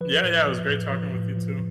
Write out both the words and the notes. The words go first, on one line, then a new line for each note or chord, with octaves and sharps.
Yeah, yeah. It was great talking with you, too.
F3 B4
A2
F3
A2
F3
A2
F3